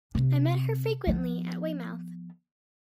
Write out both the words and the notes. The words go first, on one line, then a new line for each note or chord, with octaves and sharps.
I met her frequently at Weymouth.
C3
F3 B3